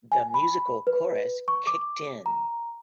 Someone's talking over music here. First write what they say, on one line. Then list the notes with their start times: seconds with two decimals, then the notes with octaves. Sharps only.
The musical chorus kicked in.
0.12 G#5
0.34 B5
0.87 B4
1.48 C#6
1.67 D6
2.26 A#5